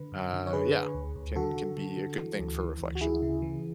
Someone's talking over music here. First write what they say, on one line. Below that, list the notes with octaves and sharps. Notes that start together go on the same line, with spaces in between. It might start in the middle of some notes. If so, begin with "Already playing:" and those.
uh, yeah, can can be a good thing for reflection.
Already playing: D3 B4
F#2
D3
C#5
D3 G#4 B4
D3
D2
D2
D3 F#4 A4
D3
D3
D3
E3
D2
E3
D2
F#4
D2 E4 G#4
C#3
E3